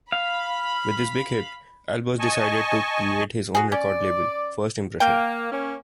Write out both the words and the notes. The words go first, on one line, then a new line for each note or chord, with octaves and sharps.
With this big hit, Albers decided to create his own record label, First Impression.
F5 B5
D#5 G#5 A5 C#6
F#4 G#4
C#4 D5
A#3 G5
A#3 C#4